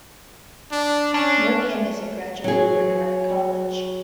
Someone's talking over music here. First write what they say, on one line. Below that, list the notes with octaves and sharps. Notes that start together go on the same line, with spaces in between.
Merkin is a graduate of Barnard College.
D4
C#4 D4
F#3 G#4